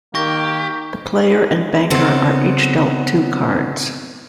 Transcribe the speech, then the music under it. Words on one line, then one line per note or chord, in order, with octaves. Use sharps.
The Player and Banker are each dealt two cards.
D#3 A#3 G4 C#6 G6 A#6
C#3 B3 C4 A4